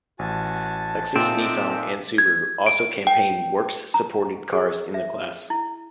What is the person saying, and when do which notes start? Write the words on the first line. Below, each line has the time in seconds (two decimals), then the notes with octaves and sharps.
Lexus, Nissan, and Subaru also campaign works-supported cars in the class.
0.19 A1 F#4 G#5 A5
1.16 A#2 C4 D#4 A4 E5
2.18 G#6
2.66 D7
3.07 G5
3.94 A#5
4.53 G#4
4.94 E5
5.50 E4